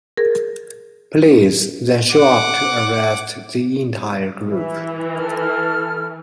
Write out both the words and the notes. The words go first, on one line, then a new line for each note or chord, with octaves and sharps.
Police then show up to arrest the entire group.
G#4 A#4
F#5 D6
E3 E5
A4 F6